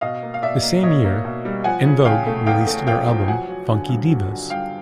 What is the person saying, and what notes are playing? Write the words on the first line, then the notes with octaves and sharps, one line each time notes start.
The same year, En Vogue released their album "Funky Divas".
B2 D#5 F5
A#3
F5
B2 D5 E5
A#3
B2 C#5 D#5
A#3
B2
G3
F3 F#5 G#5
C#3
C#3 F5 G5
A3
E2 F5 G5
A3
F3 F5 G5
F3
F#3 F#5 G#5
F#3
D3
G2
F#3
D3
G2 F5 G5